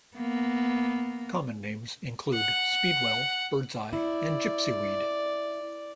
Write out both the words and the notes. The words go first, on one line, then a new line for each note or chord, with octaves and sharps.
Common names include speedwell, bird's eye, and gypsyweed.
A#3 B3
F#5
E4 D5